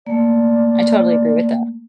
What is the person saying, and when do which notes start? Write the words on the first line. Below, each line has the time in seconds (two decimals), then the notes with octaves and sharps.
I totally agree with that.
0.07 A3 A#3 D5